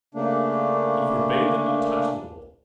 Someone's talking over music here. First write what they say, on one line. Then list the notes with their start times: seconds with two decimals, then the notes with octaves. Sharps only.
He forbade them to touch the wolf.
0.15 C#3 A3 A#3 D4